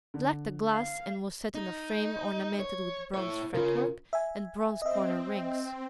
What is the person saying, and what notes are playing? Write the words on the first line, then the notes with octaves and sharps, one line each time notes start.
It lacked a glass, and was set in a frame ornamented with bronze fretwork and bronze corner rings.
D3
F5
D#4
C#5
E4 C#5
C#3 F4 A#4
E5 G#5
C4 D#5 E5